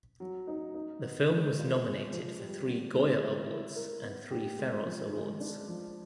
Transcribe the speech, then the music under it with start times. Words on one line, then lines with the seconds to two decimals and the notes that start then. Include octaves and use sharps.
The film was nominated for three Goya Awards and three Feroz Awards.
0.20 F#3
0.47 D#4
0.74 D#4
1.02 B3
1.29 G#3
1.57 F4
1.84 G#3
2.12 F3
2.39 G3
2.66 D3
2.94 G#3
3.21 E4
3.49 E4
3.76 A#4
4.04 B3
4.31 G4
4.59 G#3
4.85 F3
5.13 G#3
5.40 D4
5.67 F3